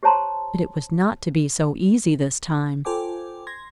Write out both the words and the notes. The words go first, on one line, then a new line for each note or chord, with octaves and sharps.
But it was not to be so easy this time.
G4 C5 C#5 A5 A#5 C6
F4 A4 C5 G5 G#5 D6
C6 G#6 A#6